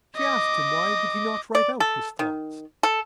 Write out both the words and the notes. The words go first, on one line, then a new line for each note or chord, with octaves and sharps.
She asked him why did he not write out his thoughts.
D#5 D6
D5
A4
D#3
A4